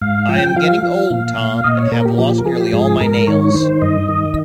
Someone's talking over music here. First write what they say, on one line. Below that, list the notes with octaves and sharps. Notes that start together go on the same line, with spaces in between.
I am getting old, Tom, and have lost nearly all my nails.
G#2 F5
F3 G5
F3 F5
F3
A#2
A#2
A#2 D#5
C#5
A#2 A#4
G4
F3 G4
A#4
F3 G#4
G4
G#2 G#4
G#2 A#4
D#3 C#5
D#3 C5
G2 D#5
D#3